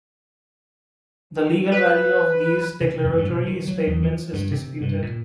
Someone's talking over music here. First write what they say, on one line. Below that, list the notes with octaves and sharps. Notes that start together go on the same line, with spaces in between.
The legal value of these declaratory statements is disputed.
B4
C3
F2
G2
B2
D#3
F#3
E2
F3
G2
C3
G2
A#2